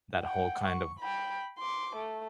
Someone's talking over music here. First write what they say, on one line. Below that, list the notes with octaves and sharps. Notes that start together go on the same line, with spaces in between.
that whole kind of,
F#5 G5
C#6
G5 B5
C6 D6
A3